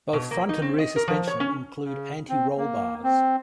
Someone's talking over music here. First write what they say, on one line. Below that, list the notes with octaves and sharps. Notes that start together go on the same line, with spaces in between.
Both front and rear suspension include anti-roll bars.
B2
A#3
D#4
C4
D#5
A#4
F3
C#5
C#4
C#3
C4
A#3
C4